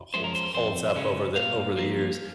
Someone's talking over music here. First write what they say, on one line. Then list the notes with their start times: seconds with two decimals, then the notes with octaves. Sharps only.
holds holds up over the over the years.
0.14 F3 G#3 C#4 C5
0.24 A#4
0.35 C5
0.55 F2 C5
0.96 C#3 G#3 C#4
1.36 A#2 F5
1.77 F3 A#3